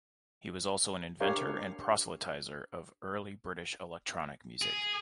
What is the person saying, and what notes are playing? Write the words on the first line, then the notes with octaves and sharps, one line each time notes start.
He was also an inventor and proselytiser of early British electronic music.
D4 G4 A#4 C#5 F5
G#4